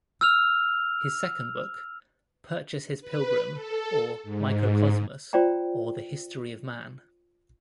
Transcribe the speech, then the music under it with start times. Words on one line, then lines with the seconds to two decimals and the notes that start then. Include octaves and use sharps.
His second book, Purchas his Pilgrim or Microcosmus, or the Historie of Man.
0.21 E6 F6 F7
3.01 B4
3.53 A4
4.23 G#2
5.33 F4 C5 D5 G5 A#5